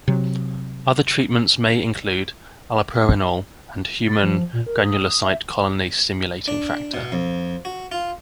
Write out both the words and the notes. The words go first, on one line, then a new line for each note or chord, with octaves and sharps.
Other treatments may include allopurinol and human granulocyte colony stimulating factor.
C3 F#3
A6
F3
A#2
A#4
D#6
E5
D4
B2
F2
F#4
F4